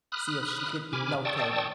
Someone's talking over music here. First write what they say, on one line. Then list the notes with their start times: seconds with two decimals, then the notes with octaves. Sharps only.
see if she could g locate him.
0.12 B5 D#6 F6 F#6
0.93 C3 G#5 B5 D6 F6
1.25 D5 G5 A5 C#6 D#6 E6